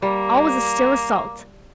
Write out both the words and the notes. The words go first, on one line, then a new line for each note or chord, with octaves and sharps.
All was as still as salt.
G3 A#3